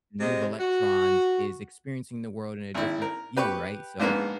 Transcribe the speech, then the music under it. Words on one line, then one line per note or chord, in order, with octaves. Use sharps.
can move electrons is experiencing the world in a different view, right, so,
C3 G#3
F#4
G#1 E4
A#4
G4 B4 C#6
A#1 G#2 A#3 B3